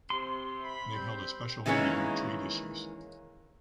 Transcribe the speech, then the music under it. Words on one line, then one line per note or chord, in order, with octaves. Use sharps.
They held a special meeting on trade issues.
C3 C6
B5
G3 C4 G6
D#3 E3 G#3 A#3 C#4